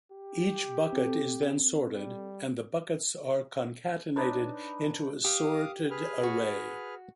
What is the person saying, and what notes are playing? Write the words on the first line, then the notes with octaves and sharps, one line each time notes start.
Each "bucket" is then sorted, and the "buckets" are concatenated into a sorted array.
G4
C4 A4
G3
D4 D#4 B4
G4 F5 D6 D#6
G#4 B4 F6
F#4